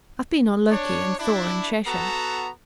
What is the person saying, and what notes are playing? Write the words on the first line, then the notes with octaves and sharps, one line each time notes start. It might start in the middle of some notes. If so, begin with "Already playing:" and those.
"I've been on Loki and Thor and Shesha."
D4 C#5
D4 E4
B3 F#4 A4 A#5